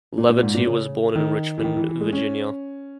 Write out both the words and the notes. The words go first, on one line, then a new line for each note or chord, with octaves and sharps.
Leverty was born in Richmond, Virginia.
A#2
A#2
G#2
A#2
C#3
D#3
E3
D#3
E3
E3
G#3
C#4